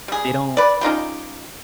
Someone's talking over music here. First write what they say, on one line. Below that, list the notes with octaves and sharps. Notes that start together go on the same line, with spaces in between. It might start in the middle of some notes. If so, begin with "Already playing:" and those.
they don't,
G3 G#4
B4 D5
C#4 D#4 F4 G4